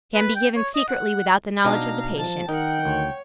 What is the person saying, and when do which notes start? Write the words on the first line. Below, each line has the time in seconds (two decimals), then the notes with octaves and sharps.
Can be given Secretly without the knowledge of the patient.
0.15 B4
0.36 G5
0.56 C#5
0.75 D#5
0.89 F#5
1.65 B2 D4 D#4 F5 A#5
2.17 F3 A5
2.49 D#3 D#4 A#4 F#5 G5
2.85 D2 C#5